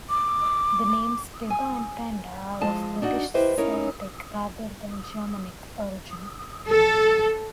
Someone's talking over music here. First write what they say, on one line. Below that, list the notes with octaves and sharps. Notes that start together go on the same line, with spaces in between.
The names Pybba and Penda are of British Celtic, rather than Germanic, origin.
D6
G#5
F3 G#3 A5
D4 D#4 F#4
E4 G4 B4 C5 D#5 E5
C#4 D#4 E4 A#4 C#5
A4